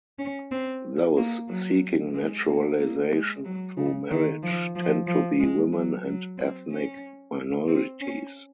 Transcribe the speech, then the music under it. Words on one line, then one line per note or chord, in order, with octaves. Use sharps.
Those seeking naturalization through marriage tend to be women and ethnic minorities.
C#4
C4
A#3
F#3
G#3
A#3
A#3
G#3
F#3
C#3
D#3
F3
F3
F3
G#3
F#3
F#3
C4
C#4
C4
C#4